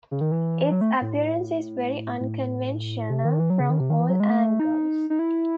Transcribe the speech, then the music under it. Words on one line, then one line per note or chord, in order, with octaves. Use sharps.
Its appearance is very unconventional from all angles.
C#3
D#3
E3
F#3
A3
A2
A2
C3
D#3
E3
F#3
C#3
D#3
C3
D#3
E3
F#3
G#3
A3
D#4
D#4
E4